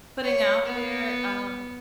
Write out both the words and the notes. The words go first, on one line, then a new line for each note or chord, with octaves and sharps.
putting out there, um,
C#5
B3